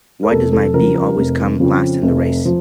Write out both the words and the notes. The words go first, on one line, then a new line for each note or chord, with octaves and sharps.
Why does my bee always come last in the race?
A#4
F1 A4
A4
F2 C#3 F3 A#4
A#4
F1
F2 C#3 F3
F1
F3